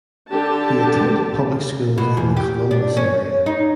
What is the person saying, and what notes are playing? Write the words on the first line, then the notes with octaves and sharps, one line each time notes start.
He attended public schools in the Columbus area.
D3 G4 A5
B2
E2
G4
D4
C#4
D#4